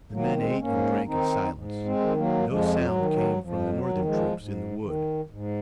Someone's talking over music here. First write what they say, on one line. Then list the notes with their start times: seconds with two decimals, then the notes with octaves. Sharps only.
The men ate and drank in silence. No sound came from the Northern troops in the wood.
0.12 D#3 F#3 A#3
0.36 G#3 C4
0.59 G#2 A#3 C#4
1.06 D#3 C4 D#4
1.54 G#2
1.85 G#3 C4
2.00 D#3
2.17 F#3 A#3
2.48 F2 F3 G#3
2.80 F#3
2.95 D#3
3.10 F#3
3.42 F2 F3
3.73 F#3
3.89 D#3
4.05 F3 G#3
4.37 G#2
4.83 D#3
5.30 G#2